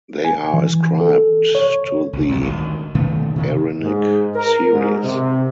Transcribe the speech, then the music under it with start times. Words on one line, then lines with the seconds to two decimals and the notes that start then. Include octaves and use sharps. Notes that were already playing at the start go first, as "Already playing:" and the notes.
They are ascribed to the Arenig Series.
0.25 G#5
0.54 E3
1.01 A4
1.55 C#5
2.13 C#2
2.28 C2 A#2 F#3
2.41 G#1 D2 D#3
2.95 B2 D#3 A3 A#3
3.36 C3 D#3 E3
3.81 G#2
4.34 A#4
4.72 G#2
5.03 C3